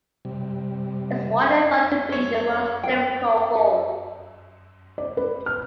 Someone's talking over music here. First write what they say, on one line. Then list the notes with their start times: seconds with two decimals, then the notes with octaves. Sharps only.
That's widely thought to be the most difficult form.
0.25 C3 G3
2.12 C#5
2.83 G5
4.98 D5
5.17 B4
5.46 F6